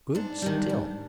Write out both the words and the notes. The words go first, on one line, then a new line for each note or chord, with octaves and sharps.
Good, still.
G#2 D4
D#3 G3
G#2